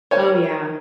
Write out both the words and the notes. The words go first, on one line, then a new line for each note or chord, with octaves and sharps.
Oh, yeah.
A#4 C5 C#5 G#5 A5